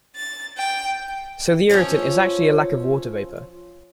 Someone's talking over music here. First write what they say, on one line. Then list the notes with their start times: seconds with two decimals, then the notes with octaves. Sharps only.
So the irritant is actually a lack of water vapour.
0.16 A6
0.57 G5
1.70 F3 C#4 F4 A4 C#5